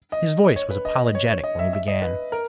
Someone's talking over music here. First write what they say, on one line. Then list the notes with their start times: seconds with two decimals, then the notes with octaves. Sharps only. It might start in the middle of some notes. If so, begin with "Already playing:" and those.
His voice was apologetic when he began.
0.12 D#5
0.56 C#5
0.70 B4
0.85 D#5
1.15 C#5
1.29 C#5
1.44 D#5
1.59 E5
1.73 E5
1.88 D#5
2.02 B4
2.32 A#4